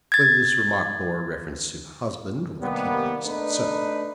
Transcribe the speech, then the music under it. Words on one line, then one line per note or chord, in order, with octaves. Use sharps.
Whether this remark bore reference to the husband, or the teapot, is uncertain.
G#6 A6
C3 D#3 G3 A#3 B3
A3 D4 D#4 B4